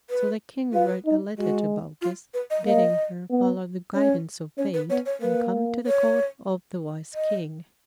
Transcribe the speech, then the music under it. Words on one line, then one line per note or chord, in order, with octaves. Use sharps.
So the King wrote a letter to Balkis, bidding her follow the guidance of fate and come to the court of the wise King.
B4
F4 B4
D#4
G#3 F#4
F4
B4
D#5
A#3 D#5
B3
C#4 C#5
C#4 C#5
B4
B3 C#5
C#5
A#3 B4
C#5
D#5